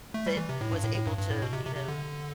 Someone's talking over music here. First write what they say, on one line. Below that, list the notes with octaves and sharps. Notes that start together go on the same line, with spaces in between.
that was able to, you know,
A3
G3
E3
C3
A2
G2
A2
A2
G2
G2
A2
B2
C3
C3
C3
D3